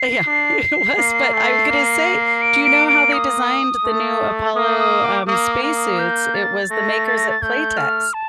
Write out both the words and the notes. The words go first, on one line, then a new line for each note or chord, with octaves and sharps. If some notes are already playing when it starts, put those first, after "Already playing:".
Yeah, it was, but I'm going to say, do you know how they designed the new Apollo, um, space suits? It was the makers at Playtex.
Already playing: C7
D4
A#3
A3
A#3
D7
D7
D7
D#6
A3
A#3 D#6
D#6
D6
A#3 D#6
D6
A#3
D#6
G6
A6
A3 A#6
A6
A#6
A6
A3 G6
F6
A5